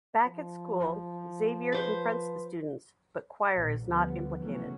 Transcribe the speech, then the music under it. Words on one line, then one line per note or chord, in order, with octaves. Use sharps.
Back at school, Xavier confronts the students, but Quire is not implicated.
F3
B4 C5
A#1 B2
D2 D3 F3 G3 B3
C#3 E3 F#3 A3 B3 C#4